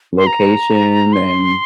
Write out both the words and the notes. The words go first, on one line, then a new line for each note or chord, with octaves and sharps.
location and
C6
A#5
C6